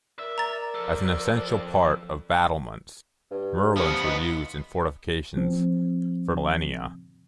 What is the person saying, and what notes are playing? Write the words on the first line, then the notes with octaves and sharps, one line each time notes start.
As an essential part of battlements, merlons were used in fortifications for millennia.
A#4 D5 E5
A#5 A6
F3 A4
G2
F3 B3
D#4
F3 C4